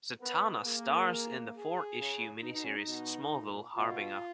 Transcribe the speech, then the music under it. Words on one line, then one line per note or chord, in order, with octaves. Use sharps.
Zatanna stars in the four-issue mini series, "Smallville: Harbinger".
B3 A#4
C#5
D#5
B4
A#3 G#4
G#4
C#3
B2 D#4
D#4
C#4
D#4
B2
A#2
B2 F4